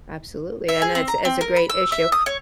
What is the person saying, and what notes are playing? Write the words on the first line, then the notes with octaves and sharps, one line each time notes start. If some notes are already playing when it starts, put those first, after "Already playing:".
Absolutely, and that's that's a great issue.
E5
G#4
C4
A#5
C4
A#4
B5
E6
E5
D#6
C#5